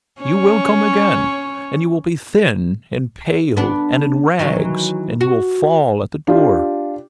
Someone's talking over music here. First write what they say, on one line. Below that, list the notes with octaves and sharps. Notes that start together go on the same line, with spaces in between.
You will come again, and you will be thin and pale and in rags, and you will fall at the door.
C#4 C#5
B3 D4
D#3 E3 F#3
F#4
D4 F4 G4